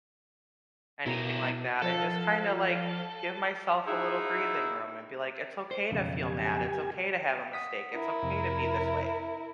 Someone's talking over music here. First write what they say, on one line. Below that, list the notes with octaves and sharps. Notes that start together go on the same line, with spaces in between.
anything like that, and just kinda, like, give myself a little breathing room and be like, "It's okay to feel mad. It's okay to have a mistake. It's okay to be this way."
B2 E4 A#4
F3 A4 F5
D#4 E4 F#4 G#4
C5
B1 F2 C#3
G4 G#5
F#5 D#6 B6
E4 A#4
F2 C3